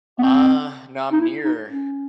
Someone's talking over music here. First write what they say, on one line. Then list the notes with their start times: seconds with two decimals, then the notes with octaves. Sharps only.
Uh, no, I'm near
0.19 B3
0.23 C4
1.12 D#4
1.20 E4
1.44 D#4
1.69 C#4